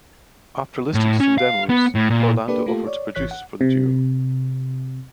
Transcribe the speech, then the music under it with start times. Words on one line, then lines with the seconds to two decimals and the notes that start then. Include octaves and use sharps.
After listening to some demos, Orlando offered to produce for the duo.
0.94 A2
1.20 C#4
1.38 F5
1.70 B3
1.95 A2
2.10 A#2
2.48 A#3 D4 G4 A4 B4 D5
2.66 A3 A#3 F4 G4 A4
2.87 C#5 D5
3.15 G#1 E3 C#5 F#6 B6
3.31 F#5
3.61 C3